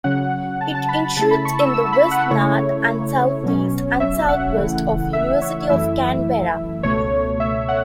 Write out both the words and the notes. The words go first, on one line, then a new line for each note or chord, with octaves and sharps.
It intrudes in the west north and southeast and southwest of University of Canberra.
C#3 F#3 C#4 F#5
A5
A5
B5
C#3 A3 E4 A5
B5
C#6
E6
E6
B5
F#5
C#3 A3 E4 C#5
B2 F#3 C#4
E5
F#5
C#3 E3 A3 E4
E5
C#5
F#2 E3 A3 E4 E5
C#2 B2 A3 C#5
E5
F#5